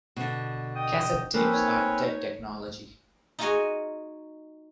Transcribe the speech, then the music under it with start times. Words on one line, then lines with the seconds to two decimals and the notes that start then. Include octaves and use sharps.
Cassette tapes are dead technology.
0.16 B2 D3
0.75 D#5 G5 D#6
1.34 F3 A#3 C4 C#4 B4
1.53 D#4 C#5
3.39 D#4 F4 F#4 G#4 C#5 D#5